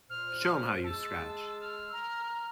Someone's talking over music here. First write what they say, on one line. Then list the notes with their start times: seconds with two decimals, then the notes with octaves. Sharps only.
Show 'em how you scratch.
0.10 A#2 C5 F6
0.84 G#3 G#4 A5 E6
1.61 F6
1.93 A#5